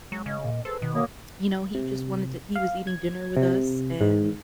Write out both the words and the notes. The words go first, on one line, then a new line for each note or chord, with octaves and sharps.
you know, he just wanted to he was eating dinner with us and,
F#3 G#3
C#3 D#5
A#2
G#4 A4 B4 C5
B2 D#3
F#2 A#3 D#6
C3
F5
G#6
C3
G#2